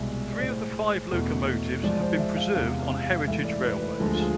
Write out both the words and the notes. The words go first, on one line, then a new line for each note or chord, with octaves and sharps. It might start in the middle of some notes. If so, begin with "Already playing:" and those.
Three of the five locomotives have been preserved on heritage railways.
Already playing: C2 B2 G#3 E5
D5
A2 G#3 C5
E2 B2 A3
G#2 F3 G#3 D5
D5
C5
E5
F5
E2 C3 G#3 F5
F5
F5
F5
G#2 E3 A3 E5
D5
B4
B4
D2 D3 F3 G#3 A4
G#4
F4
G#4